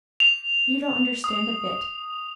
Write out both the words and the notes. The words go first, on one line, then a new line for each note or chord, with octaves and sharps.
You don't understand a bit!
F7
D#6